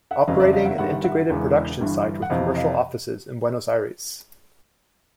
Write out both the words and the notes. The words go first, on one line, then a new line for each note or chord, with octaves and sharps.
Operating an integrated production site with commercial offices in Buenos Aires.
E5 F#5
F#1 F2 C#3 F#3 D#5 F5
D5 E5
D#5 F5
E5 F#5
G1 G2 D#3 G3 E5 F#5
E5 F#5
E1 E2 C#3 E3 G#3
G1 G2 E3 G3
F#5
F2 C3 E3 D#5 F5
D#5 F5